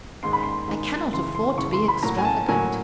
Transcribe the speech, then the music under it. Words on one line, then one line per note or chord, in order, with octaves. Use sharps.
I cannot afford to be extravagant.
G#2 D#3 G#3 C6
B5
C6
G#2 D#3 G#3
F#2 C#3 E3 C6
C6
F#2 C#3 E3 C#6
C6
B5
A2 F#3 A#3 A#5
G#5
A5
A2 F#3 A#3 G#5